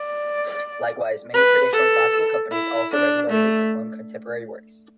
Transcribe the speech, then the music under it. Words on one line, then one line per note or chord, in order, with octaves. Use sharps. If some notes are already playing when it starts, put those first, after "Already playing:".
Likewise, many traditionally "classical" companies also regularly perform contemporary works.
Already playing: D5
B4
A4
E4
D4
A3